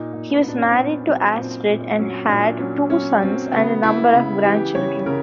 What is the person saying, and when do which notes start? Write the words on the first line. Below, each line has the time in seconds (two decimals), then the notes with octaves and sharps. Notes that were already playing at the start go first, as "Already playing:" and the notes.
He was married to Astrid and had two sons and a number of grandchildren.
Already playing: A#2 D#4
0.13 A#2
0.29 B3
0.44 A#2 D4
0.57 C#4
0.65 C4
0.75 A#2 B3
1.05 F#3 C4
1.36 A#2 C4
1.67 A#2 C4
1.98 F#3 C#4
2.28 A#2 D4
2.60 F#3 C#4
2.90 F#3 C#4
3.22 F#3 C4
3.52 C#3 B3
3.83 C#3 E4
4.13 C#3
4.44 E3 G4
4.75 C#3 C#5
5.06 C#3 A#4